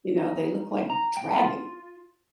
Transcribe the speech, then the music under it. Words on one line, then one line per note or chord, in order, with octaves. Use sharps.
you know, they look like dragon.
D#4
A#5
G5
F4